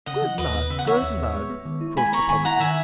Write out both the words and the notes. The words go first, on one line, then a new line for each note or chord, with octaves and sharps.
"Good lad! good lad!" croaked the publican.
C#3 D#5 F#5
E3
D#2 B4 D#5
B3
C#3 E5
F#5
E3 C#5 E5
D#2
B3
G#3
B3
D#3
E4
G#3 G#5 B5
B3 A#5 C#6
D#3 G#5 B5
E4 F#5 A#5
D#3 E5 G#5